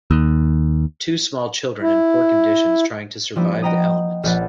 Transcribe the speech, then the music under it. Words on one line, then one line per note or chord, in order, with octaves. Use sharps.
Two small children in poor conditions trying to survive the elements.
D#2
E4
F3 G3 A#3 B3 D4 E4
D#5 F#5 G5 A#5 B5 D#6
A#1 F3 C#4 B4 F#5 A6